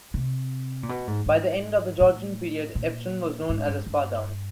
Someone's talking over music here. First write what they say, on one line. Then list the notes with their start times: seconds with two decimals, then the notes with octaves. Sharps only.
By the end of the Georgian period, Epsom was known as a spa town.
0.14 C3
0.83 A#2
0.89 B2
1.07 G#2
1.26 G#2
2.01 A2
2.75 A#2
3.49 G#2
3.68 G2
3.86 G2